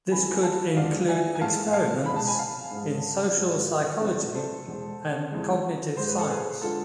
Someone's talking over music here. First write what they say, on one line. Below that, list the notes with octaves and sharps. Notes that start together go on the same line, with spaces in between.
This could include experiments in social psychology and cognitive science.
F2 E3 G#3 G#5 B5
G#5
F5 A5
E2 D3 F3 G#3 D5 F5
E5 G#5
G#5
A2 E3 G#3 F5 A5
F5 A5
B2 G#3 B5
A5
G#5 B5
F5 A5
G#2
G#3
G#2 F3 G#3
F2 C3 E3 G#3 B4 D5
A4 C5
E2 B2 G#3
F2 E3 G#3
G#2 G#3 C5
B4
A4 C5
G#4 B4
D3 G#3 F4 A4